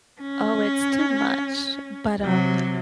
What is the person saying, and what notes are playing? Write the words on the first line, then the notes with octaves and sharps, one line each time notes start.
Oh, it's too much. But, um,
C#4
C3 F#3